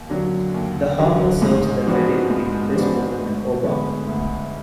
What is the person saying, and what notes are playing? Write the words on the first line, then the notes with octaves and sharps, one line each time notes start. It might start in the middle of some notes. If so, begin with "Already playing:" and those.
The harbour serves the ferry between Lismore and Oban.
Already playing: D#2
D3 F#3 D4
D#2
D3 F#3 D4
G#2
F3 B3 D4 F#4
G#2
F3 B3 D4 F#4
D2
D3 G#3 B3
D2